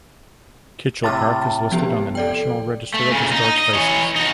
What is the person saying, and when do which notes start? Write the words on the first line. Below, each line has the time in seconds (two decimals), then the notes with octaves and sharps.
Kitchell Park is listed on the National Register of Historic Places.
1.04 A2 C3 F6 A6
1.72 F3 B3 G4
2.15 A4 D5 G5
2.94 A3
3.11 A#2 C#3
3.32 D#4
3.58 D#5
3.75 E3 C#5
4.16 D#4 F#4